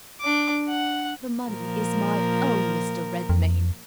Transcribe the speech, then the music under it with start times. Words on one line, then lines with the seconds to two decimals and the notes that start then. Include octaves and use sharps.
"The money is my own, Mr. Redmain."
0.21 D4 D6
0.68 F#5
1.48 A#2 F3 A#4
3.29 F2